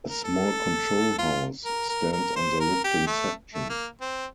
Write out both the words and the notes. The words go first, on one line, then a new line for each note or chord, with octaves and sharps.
A small control house stands on the lifting section.
A#4
A4
F4
A#4
A#4
A#4
C5
A#4
G4
A3
A3
A#3
C4